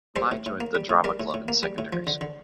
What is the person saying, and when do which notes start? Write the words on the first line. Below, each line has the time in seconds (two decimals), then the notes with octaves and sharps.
Lai joined the drama club in secondary school.
0.16 G3 A4 C5
0.32 A2
0.46 A2
0.60 A#3
0.75 G3
0.89 A2
1.04 G3 A#4 D5
1.20 A2
1.34 A2
1.48 A#3
1.63 G3
1.78 A2
1.93 F3
2.07 D3
2.21 D3